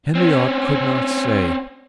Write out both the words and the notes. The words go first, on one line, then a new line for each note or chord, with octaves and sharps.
Henriot could not say.
C4 C#4